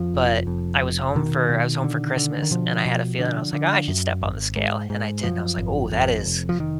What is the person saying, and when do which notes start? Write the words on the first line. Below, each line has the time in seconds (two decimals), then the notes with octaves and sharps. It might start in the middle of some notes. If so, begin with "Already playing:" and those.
but I was home for I was home for Christmas, and I had a feeling, I was like, "Oh, I should step on the scale," and I did, and I was like, "Ooh, that is
Already playing: F2 F3
0.14 F1
0.47 F2
0.82 F1
1.15 B2 D#3
1.49 B2
1.84 D3
2.17 D3
2.42 D#3
2.51 B2 F3
2.85 B2
3.19 D3
3.53 D3
3.88 F#2
4.21 G#1
4.56 G#2
4.90 G#2
5.23 F#2 F3
5.58 G#1
5.92 F2
6.26 F1
6.49 F3
6.60 D#3